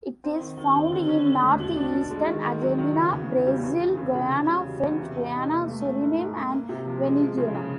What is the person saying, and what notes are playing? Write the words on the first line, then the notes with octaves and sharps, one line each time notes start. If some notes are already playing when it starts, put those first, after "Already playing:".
It is found in North-eastern Argentina, Brazil, Guyana, French Guiana, Suriname and Venezuela.
C4
D#3
D#3
C4
D3
C#4
D3
A3
B2
D4
B2
G#3
D#3
D#3
F#3
D#3
C#3
E2
E3
G3
E2
C#3
C#3
C#3
E2
G3
B2
E2
C3
C3
D#4
A#3
A3
A3
G#2
G#2
A#3
A#3
C3
F3
G#3
F3
C#3
C#3